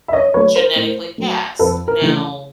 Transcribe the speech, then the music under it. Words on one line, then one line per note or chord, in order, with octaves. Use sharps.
Genetically passed. Now,
E5
C#5 D#5
F#3 A3 B4 C#5
A#4 C5
A2
F#3 A3
F2 A4 B4
A#4
C#3 E3 A3